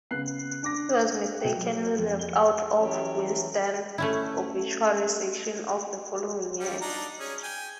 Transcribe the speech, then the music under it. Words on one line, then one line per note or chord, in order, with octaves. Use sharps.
He was mistakenly left out of "Wisden"'s obituary section the following year.
C#3 B3 F#6 C7
D4 D6 A#6
B2 G5
F#3
F2
G7
E3 F#3 C#4 G4
A3 C#4 E4
G3 C#4
D4 D#4 A#5
C#4 G#4
G5 G#5